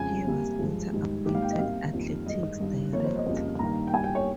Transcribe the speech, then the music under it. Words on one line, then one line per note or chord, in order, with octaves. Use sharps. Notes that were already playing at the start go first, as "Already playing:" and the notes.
He was later appointed athletics director.
Already playing: F2 C#3 F3 G#3 G#5
C3 G3 A#3
G2 F3 G#3
G#2 D#3 G3
G#2 D#3 A#3 G4
F5
G5
D#5
C3 G3 A#3 F5
F2 D#3 G3 A#3
G2 D#3 G#3 D#5
G2 D#3 G3
C3 F3 A#3 C#5
C5
D#5
F2 C#3 G3 A#3
G2 D#3 A#3 A#5
G5
G2 G3 A#3 G#5
G5
C#5